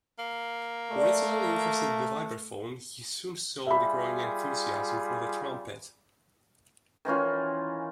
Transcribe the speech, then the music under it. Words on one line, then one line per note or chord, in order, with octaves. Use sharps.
Originally interested in the vibraphone, he soon showed a growing enthusiasm for the trumpet.
A#3
A3 F#4 D5 F#5
G3 F4 G#4 E5 B5
D#3 E3 C#4 F4